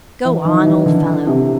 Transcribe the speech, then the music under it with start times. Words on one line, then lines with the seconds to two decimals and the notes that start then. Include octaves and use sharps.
"Go on, old fellow."
0.25 E3
0.45 D#3
0.66 E3
0.86 D3
1.27 C3